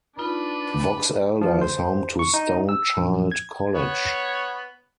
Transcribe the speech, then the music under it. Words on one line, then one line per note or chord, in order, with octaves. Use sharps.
Box Elder is home to Stone Child College.
D4 D#4 F4 B4
F3
C5
C#6
D#4
E6
A#1
G#6
B3 C#5